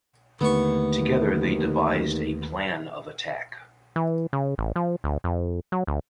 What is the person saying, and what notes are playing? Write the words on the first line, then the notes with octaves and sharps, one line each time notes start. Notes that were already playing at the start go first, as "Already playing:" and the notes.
Together they devised a plan of attack.
D#2 D3 A3 B3 C#6
E3
C#3
A1
F3
D2
F2
F#3
D2